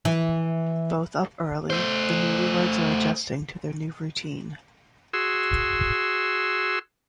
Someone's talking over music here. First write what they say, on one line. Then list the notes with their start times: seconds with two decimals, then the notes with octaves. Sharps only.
Both up early, the newlyweds are adjusting to their new routine.
0.05 E3
1.70 A3 C5
5.13 F#4 G#4 C6 E6